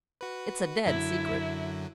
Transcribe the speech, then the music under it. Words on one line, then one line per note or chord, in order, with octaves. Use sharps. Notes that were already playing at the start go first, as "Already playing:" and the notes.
It's a dead secret.
F#4 B4
F#2 D3 F#3 E4